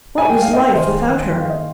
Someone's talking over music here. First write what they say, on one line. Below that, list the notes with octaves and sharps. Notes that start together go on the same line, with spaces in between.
What was life without her?
D#4 G#5
G5
D#4 F5
D#5 G5
D#3 C5 D#5
D#3
D#3 G5
F5
D#5